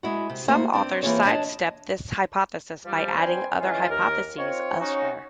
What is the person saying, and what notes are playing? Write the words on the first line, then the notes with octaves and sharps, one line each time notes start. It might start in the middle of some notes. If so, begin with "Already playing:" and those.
Some authors sidestep this hypothesis by adding other hypotheses elsewhere.
G#3 E4 F#4
C3
A3 A#3 F#4 C5
C4 D4
E3 A#3 C4 F4 G#4 C#5
D4 C#5 D#5 A5
F3 G3
C4 D4 B4 C5 G5 G#5
E3 G#3 C#4 F4
D#2 A#4
C4 D#4 F4 C#5
C#4 D#4 F#4